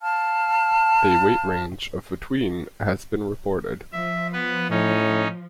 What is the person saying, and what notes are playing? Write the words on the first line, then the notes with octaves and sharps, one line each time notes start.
A weight range of between has been reported.
F5 A5 F6
F3 E5
B3 B4
A2 C#4 D#4